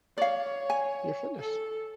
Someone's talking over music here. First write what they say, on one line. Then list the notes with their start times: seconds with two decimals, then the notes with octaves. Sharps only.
your fitness.
0.18 C#5 D5 F5
0.70 G#5
1.38 A4